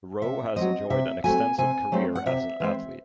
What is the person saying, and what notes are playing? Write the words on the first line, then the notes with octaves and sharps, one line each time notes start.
Ro has enjoyed an extensive career as an athlete.
C3 E5
F#3 A3 C4 D#5
C3 E5
F#3 A3 C4 G#5
C3 G#5
F#3 A3 C4
F#5
C3 E5
E3 G#3 C4